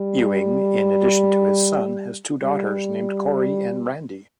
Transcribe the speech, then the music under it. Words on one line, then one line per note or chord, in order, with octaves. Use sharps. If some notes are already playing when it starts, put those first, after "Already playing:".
Ewing, in addition to his son, has two daughters named Corey and Randi.
Already playing: G3
G3